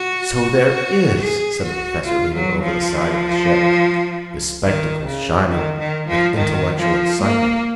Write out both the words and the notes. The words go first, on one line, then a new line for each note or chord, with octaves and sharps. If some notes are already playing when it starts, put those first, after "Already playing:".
"So there is," said the Professor, leaning over the side of the ship, his spectacles shining with intellectual excitement.
Already playing: F#4
F#4
G#4
F#4
F4
F#3
F3
D#3
C#3
D#3
D#3
F3
D#3
F3
A#3